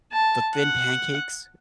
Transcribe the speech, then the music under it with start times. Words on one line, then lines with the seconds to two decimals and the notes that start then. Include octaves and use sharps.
the thin pancakes?
0.12 A5
0.55 F#5